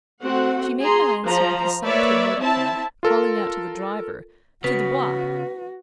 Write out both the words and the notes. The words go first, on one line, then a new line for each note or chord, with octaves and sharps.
She made no answer, and he signed to a motor-cab, calling out to the driver: "To the Bois!"
A3 C4 F#4 F#5
G#4 A#5 C6
F3 C5 A#5
A#3 B4 C#5 D5 E5
C4 E4 E5 A5
F4 A4 A#4
C#3 B3 F#4 B4